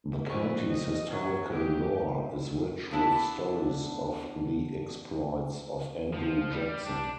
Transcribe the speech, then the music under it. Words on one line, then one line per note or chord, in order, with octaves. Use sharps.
The County's historical lore is rich with stories of the exploits of Andrew Jackson.
F2 D3 B4 C#6
D#5
F#3
D2 G4
B3 D4 E4 A4
F3
G3
D4